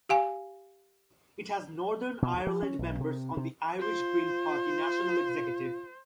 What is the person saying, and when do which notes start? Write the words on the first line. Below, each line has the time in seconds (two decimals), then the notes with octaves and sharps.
It has Northern Ireland members on the Irish Green Party national executive.
0.09 G4 F5 G#5
2.22 B2
2.34 D2
2.47 F3
2.63 C#4
2.79 B1
3.01 C3
3.37 C3
3.79 F4 C5